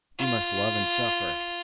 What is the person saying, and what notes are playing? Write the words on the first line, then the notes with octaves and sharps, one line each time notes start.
We must love and suffer....
F4